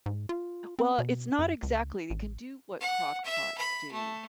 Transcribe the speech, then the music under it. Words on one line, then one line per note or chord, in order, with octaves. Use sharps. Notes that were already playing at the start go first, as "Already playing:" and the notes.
Well, it's not exactly. It can do what crock pots do,
G#2
F4
C4
B2
F#2
C#2
A1
F#5
E5
B5
A3